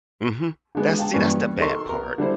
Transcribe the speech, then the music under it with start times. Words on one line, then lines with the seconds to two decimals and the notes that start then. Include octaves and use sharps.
Mhm, that's see, that's the bad part.
0.75 D3 G#3 B3
0.98 F5 G5 A5
1.14 G2 E3 A#3 B3 C#4
1.60 D#4 A4 A#4 C6 C#6
1.89 B3 A#4
2.18 D3 G3 E4 C5